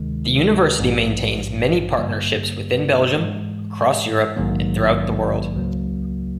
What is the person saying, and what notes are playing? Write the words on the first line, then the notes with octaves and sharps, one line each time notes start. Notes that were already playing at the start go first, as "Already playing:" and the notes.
The university maintains many partnerships within Belgium, across Europe, and throughout the world.
Already playing: D2 C3 D#3 G#3
A#1 G#2 F3
G2 D3 G3 A#3
G#2 E3 G#3
A#1 G#2 D#3 F#3 A#3
C#2 C#3 F#3 A#3